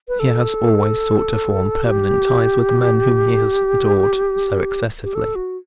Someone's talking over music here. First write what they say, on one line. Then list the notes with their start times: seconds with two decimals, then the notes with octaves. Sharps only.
He has always sought to form permanent ties with the men whom he has adored so excessively.
0.08 B4
0.20 A4
1.84 G4
5.04 G4
5.15 A4
5.35 F#4